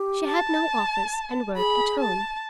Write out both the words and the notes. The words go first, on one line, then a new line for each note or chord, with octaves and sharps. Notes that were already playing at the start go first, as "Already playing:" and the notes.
She had no office, and worked at home.
Already playing: G4
A5
G#4 B5
A5